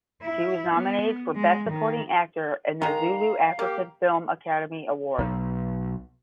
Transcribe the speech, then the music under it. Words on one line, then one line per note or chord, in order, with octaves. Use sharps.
She was nominated for Best Supporting Actor in the Zulu African Film Academy Awards.
E4
B3
G#3
D#3
D#3 G#3 F5 A#5
A#3 G4
B1